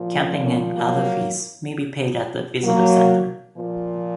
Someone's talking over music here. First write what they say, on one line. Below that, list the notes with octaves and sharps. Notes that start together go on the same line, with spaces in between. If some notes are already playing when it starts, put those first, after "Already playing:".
Camping and other fees may be paid at the visitor centre.
Already playing: A#2 F3
C#4 F4
A#3 C#4
F#3 A#3
F#3 A#3
A#2 F3